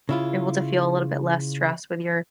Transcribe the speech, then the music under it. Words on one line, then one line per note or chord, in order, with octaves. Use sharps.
able to feel a little bit less stress with your
C#3 E4 F4